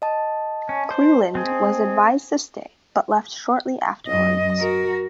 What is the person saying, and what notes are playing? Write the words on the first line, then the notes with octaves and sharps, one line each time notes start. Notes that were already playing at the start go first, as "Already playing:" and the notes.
Cleland was advised to stay but left shortly afterwards.
D#5 A5
C#4
C5
C4 G#4
F#2 D#5
F#4 A#4